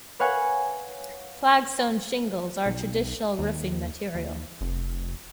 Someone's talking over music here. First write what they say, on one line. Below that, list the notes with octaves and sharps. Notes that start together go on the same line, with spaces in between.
Flagstone shingles are a traditional roofing material.
B4 C#5 F5 F#5 G#5 C#6
B1
D#2
D#2
F1